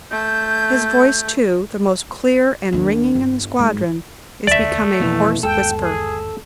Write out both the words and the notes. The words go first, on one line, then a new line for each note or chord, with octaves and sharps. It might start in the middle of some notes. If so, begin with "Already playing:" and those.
His voice, too, the most clear and ringing in the squadron, is become a hoarse whisper.
A3 G6
D#2 D4
G1
G#2
E1 D2 A3 D5 E5
F2 B2 E3 A#3
G1 D#2 G#3 A4 G5
G#4